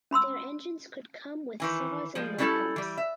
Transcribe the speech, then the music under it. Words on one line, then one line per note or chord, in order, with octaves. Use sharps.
Their engines could come with saws and mud pumps.
C#4 B5 C6 E6
D#3 E3 G#5
F3 G3 G#3
G3 C#4 E4 F#4 A4 A5
E3 G3
E5